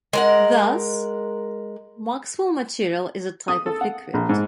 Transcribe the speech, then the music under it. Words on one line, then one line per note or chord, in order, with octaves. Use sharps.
Thus, Maxwell material is a type of liquid.
G#3 A#4 F#5
D#6
A4
F#5
A#1
G#2